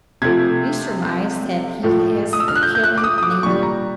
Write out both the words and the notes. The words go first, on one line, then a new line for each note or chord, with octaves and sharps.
We surmise that he has the killing mania.
C3 F3 A3 G#6
A2 F3 A3
D#6
E6
F6
F#6
G6
G6
F#6
D6
D#6
D#6
D6
A#2 G3 C#6
A#5